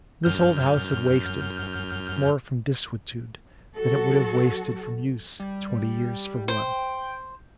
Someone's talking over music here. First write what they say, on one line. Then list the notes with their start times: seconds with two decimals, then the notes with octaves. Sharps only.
This old house had wasted--more from desuetude than it would have wasted from use, twenty years for one.
0.24 F#2 F6 G6
3.78 F#3 F#4 A4
5.40 G3
6.48 C5 G5